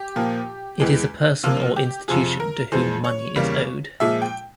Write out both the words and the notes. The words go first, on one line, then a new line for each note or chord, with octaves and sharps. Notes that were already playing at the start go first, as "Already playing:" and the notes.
It is a person or institution to whom money is owed.
Already playing: G4
A#2 F3 A#3
E2 E3 G#3
C3 F3 A#3 F4
G4
F2 C3 F3 G#4
A#4
F2 E3 G#3 C5
C#5
E2 C#3 G3 A#3
A#2 F3 G#3 E5
G5